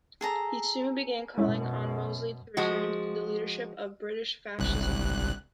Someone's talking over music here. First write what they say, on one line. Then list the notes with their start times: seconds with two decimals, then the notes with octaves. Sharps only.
He soon began calling on Mosley to return to the leadership of British fascism.
0.21 G#4 A4 A#5
1.38 F#2 B2 G#3 C#4 E4
2.57 F3 G#3 F#4
4.59 G1 C2 F#6